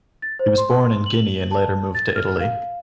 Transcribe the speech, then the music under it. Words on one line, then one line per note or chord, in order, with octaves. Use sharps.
He was born in Guinea and later moved to Italy.
A6
C5
C6
F#7
A5
A6
F6
F5